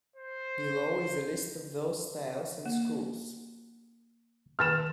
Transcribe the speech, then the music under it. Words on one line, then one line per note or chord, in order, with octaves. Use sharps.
Below is a list of those styles and schools.
C5
A#3
D#3 B4 A5 F6 A6 E7